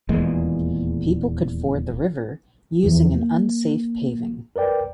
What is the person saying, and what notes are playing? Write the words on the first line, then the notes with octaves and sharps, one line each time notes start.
People could ford the river using an unsafe paving.
D#1 E2 A#2 G#3
E2 E3 F3
A#3
A#4 B4 D5 G5